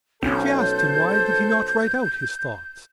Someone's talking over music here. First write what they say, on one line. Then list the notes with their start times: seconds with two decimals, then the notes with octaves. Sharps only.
She asked him why did he not write out his thoughts.
0.23 B1 C4 C#4 A4 C5 G6